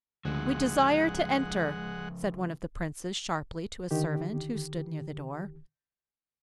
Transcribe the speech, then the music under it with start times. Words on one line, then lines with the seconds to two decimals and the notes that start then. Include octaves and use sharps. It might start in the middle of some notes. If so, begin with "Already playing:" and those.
'We desire to enter,' said one of the princes sharply to a servant who stood near the door.
0.25 D2 C#3 F3 G#3 F#5
3.91 D3 D#3 G4